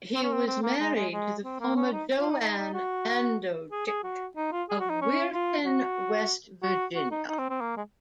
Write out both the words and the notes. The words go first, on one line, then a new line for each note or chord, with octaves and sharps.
He was married to the former JoAnn Andochick of Weirton, West Virginia.
C4
C#4
C4
C4
A#3
G#3
G#3
G#3
C4
A#3
C#4
D#4
F4
D#4
D#4
D#4
F#4
G#4
G#4
F#4
D#4
F4
G#4
F#4
D#4
C#4
F4
F#4
F#4
F#4
D#4
D#4
C4
C4
A#3
G#3